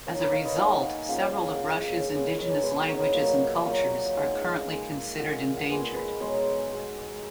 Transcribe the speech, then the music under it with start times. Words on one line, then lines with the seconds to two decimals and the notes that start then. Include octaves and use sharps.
As a result, several of Russia's indigenous languages and cultures are currently considered endangered.
0.07 D#3 A#3 A#4 C#5
0.19 B4 D#5
0.32 C#5 F5
0.45 B4 D#5
0.58 D#3 A#3 D#5 F#5
0.83 F5 G#5
1.09 C#3 F3 A#3 D#5 F#5
1.22 C#5 F5
1.34 F5 G#5
1.48 D#5 F#5
1.60 C#3 F3 A#3 C#5 F5
2.00 C#5
2.11 B2 G#3 B4 D#5
2.24 B4 D#5
2.36 A#4 C#5
2.50 G#4 B4
2.63 B2 G#3 G#4 B4
2.76 F#4 A#4
2.88 A#4 C#5
3.00 B4 D#5
3.14 A#2 F#3 A#3
3.65 A#2 F#3 A#3
4.16 D#3 G#3 D#5 F#5
4.42 F5 G#5
4.67 D#3 G#3
5.18 A#2 G#3 D#5 F#5
5.31 F5 G#5
5.47 G#5
5.56 D#5 F#5
5.69 A#2 G#3 G#4 B4
5.95 B4 D#5
6.20 B2 G#3 A#4 C#5
6.72 B2 G#3